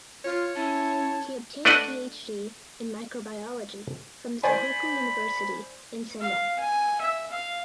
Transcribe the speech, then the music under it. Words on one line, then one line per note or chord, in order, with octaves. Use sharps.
He obtained PhD in microbiology from the Tohoku University in Sendai.
F4 C#5
C#4 E4 A5
A3 D4 B4 D5 D#5 F#5
C5 D5 G#5 B5
F5
G#5
E5
F5